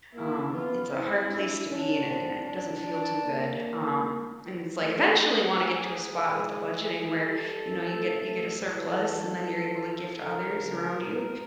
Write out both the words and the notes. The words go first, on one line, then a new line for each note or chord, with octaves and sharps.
Um, it's a hard place to be, and it and it doesn't feel too good, um, and it's like, eventually wanna get to a spot with the budgeting where, you know, you get you get a surplus, and then you're able to give to others around you,
A#3 E4
B3 F4
C4 E4
D4
C#4 D4
C4
D4
D4
A#3
A3 G4
G#4
G#3
G#3
G3 A4
A3
E3 A4
E3
D3 A#4
C#3
B2